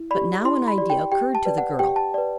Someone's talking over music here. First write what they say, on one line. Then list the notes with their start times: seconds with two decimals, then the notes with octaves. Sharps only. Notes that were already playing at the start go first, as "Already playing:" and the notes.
But now an idea occurred to the girl.
Already playing: E4
0.11 G4 D5 B5
0.45 E4 C6
0.68 B5
0.78 G4 D5
0.90 G5
1.12 G4 G5
1.35 A5
1.45 B4 D5
1.58 F#5
1.79 G4 G5
1.96 A5
2.14 B4 D5